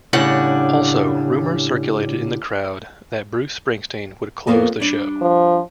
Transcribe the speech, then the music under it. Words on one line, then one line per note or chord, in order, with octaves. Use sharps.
Also, rumors circulated in the crowd that Bruce Springsteen would close the show.
A2 C#3 G3 D4 F#5
F2 A#3 B3
G3 D4
F3